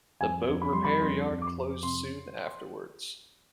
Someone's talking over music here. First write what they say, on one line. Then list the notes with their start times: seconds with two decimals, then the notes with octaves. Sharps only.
The boat repair yard closed soon afterwards.
0.21 F2 G#5
0.47 F2
0.62 B5
0.73 G3 C6
0.84 B5
1.01 F2 C6
1.28 F2
1.42 D6
1.56 F2
1.83 C3 C6